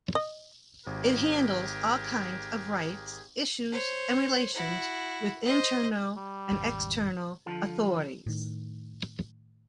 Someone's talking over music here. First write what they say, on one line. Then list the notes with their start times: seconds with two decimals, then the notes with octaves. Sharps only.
It handles all kinds of rights issues and relations with internal and external authorities.
0.15 D#5
0.87 G#1 G4 G#4 A#4
3.71 C5 C#5
4.54 E4 F#4
5.43 C5 D#5
6.16 G3
6.51 G#1 E2 C#3
7.46 D3 F3 F4 A4
8.26 A2 D#3